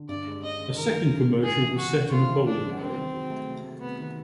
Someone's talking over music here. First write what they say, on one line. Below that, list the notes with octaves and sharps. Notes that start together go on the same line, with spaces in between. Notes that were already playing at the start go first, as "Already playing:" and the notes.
A second commercial was set in a bowling alley.
Already playing: D3
G2 D5
G#3
C#4 D#5
G#3
D#3 A#4
D#3
D#3
G#3
G#3 G#4
E3
C#3 F#4
C#3
C4 F4
E3
E3 D4
G#3
C3 C4
D#3
F#3
A3
C3
A3
C3 B3
D#3